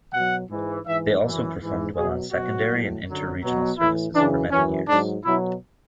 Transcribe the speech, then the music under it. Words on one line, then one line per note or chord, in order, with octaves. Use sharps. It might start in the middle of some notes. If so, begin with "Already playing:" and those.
They also performed well on secondary and inter-regional services for many years.
B2 F#3 F#5
G#2 E3
G#2 E3 E5
F#2 E3
G#2 E3
B2 F#3 G#4
B2 F#3 F#4
A2 F#3
F#2 D3 F#3
B2 F#3
A2 E3 E4
F#2 C#3 E3 D4
F#2 E3 C#4
G#2 F#3 D4
B2 F#3 E4